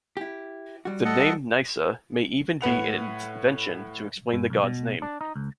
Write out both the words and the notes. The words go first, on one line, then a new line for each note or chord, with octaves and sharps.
The name "Nysa" may even be an invention to explain the god's name.
E4 G4
G3 F#4
A4 D#5 F#5
A2 B4 F#5 F7
G2
B1
B2
D4
D#4
C#2